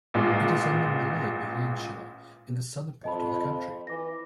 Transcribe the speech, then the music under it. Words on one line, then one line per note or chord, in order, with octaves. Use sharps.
It is on the Malay peninsula in the southern part of the country.
A1 A#2 G#3
F2 D#5 A5 B5
E3 D6 A#6